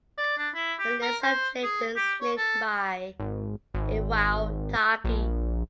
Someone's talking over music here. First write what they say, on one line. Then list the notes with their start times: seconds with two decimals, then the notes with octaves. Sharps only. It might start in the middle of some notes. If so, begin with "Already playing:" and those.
The list of chitons named by Iwao Taki.
0.18 D5
0.38 D4
0.54 E4
0.79 G4
1.02 A#4
1.23 C5
1.63 G#4
1.96 G4
2.21 C#5
2.37 A4
3.20 G#1
3.74 G#1
5.04 A#1